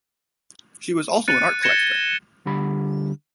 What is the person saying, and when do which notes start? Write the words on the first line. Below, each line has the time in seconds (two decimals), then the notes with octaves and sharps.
She was also an art collector.
1.28 F#6 A6 C#7 D#7
1.62 G#6 A#6 C#7 E7 G7
1.82 G7
2.46 D2 D3 G3 B5